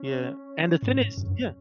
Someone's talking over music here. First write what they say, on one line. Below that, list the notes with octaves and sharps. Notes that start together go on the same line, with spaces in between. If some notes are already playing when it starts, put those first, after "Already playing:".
Yeah, and the thing is Yeah.
Already playing: C#4
G#2
F#2